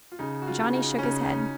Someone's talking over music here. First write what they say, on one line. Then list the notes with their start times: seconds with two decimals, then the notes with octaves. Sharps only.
Johnnie shook his head.
0.12 F4
0.19 C#3 D#4
0.42 F#4
0.47 F4
0.61 C#3
0.75 D#4
0.99 C#4
1.03 C#3 D#4
1.23 D#4